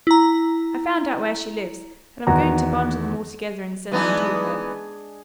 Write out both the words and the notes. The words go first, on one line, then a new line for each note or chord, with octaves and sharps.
I found out where she lives and I'm going to bundle them all together and send them to her.
E4 A#5
E2 D#3 F#4 A#5
E3 G#3 B3 D4 D#4 G#4